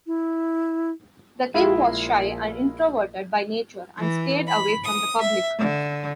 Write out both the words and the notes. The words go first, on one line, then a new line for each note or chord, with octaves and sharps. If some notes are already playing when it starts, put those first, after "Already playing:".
The king was shy and introverted by nature, and stayed away from the public.
E4
A#1 G#3 E4 F4
E3
B5
D#6
E5
D3